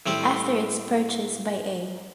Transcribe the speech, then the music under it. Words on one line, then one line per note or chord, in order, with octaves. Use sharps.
After its purchase by A.
A2 G3 C4 G4